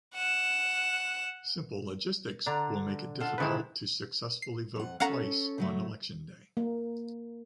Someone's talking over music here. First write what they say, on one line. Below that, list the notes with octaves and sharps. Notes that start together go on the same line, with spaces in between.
Simple logistics will make it difficult to successfully vote twice on election day.
F#5 E7
D3 D4 A#5
F4 A4 F#5
G#2 D3 D#3 F3 E4 B4
C7
F2 F#5
C#4 A4 C#5 F5 F#5 A#5
C#3 F#3 A3
A#3